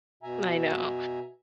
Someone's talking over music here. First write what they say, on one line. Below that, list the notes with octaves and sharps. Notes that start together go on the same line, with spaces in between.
I know.
B2 E5 G#5 A#5